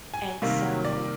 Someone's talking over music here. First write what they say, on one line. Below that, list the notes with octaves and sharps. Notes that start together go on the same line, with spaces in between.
and so,
G#5
C3 D#3 G3 A#3 F5
D5